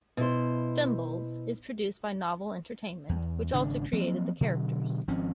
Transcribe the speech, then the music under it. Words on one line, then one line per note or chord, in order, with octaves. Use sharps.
"Fimbles" is produced by Novel Entertainment, which also created the characters.
B2 E4 C5
E2
G#1 C#3 D4
F3 F#3 A#3 C4
B2 D3 F#3
G#1 F3 C4 C#4